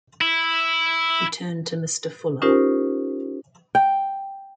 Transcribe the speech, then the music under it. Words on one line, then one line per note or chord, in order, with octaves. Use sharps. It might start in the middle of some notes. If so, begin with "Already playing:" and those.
He turned to Mr. Fuller.
E4
C#4 D#4 F4 G4 A#4 C5
G5